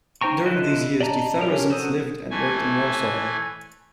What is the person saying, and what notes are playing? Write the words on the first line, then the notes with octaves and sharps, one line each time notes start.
During these years the Themersons lived and worked in Warsaw.
D#4 C5 G5 A#5 C#6
D3 E4 F4 D#5 F#6
D5 D#5 A5 A#5
C#4 D4 G4 A#4 C#5
F#3 F#4 A4 C5 D#6
E3 A3 G#5